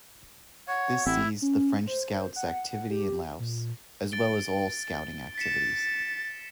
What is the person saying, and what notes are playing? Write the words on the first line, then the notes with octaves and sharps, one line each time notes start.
This ceased the French Scouts' activity in Laos, as well as all Scouting activities.
C#5 F#5
A1 C4 E4
C#4
C5
F#5
G4
A#2
A6 D7 G7
A6 B6 C#7 E7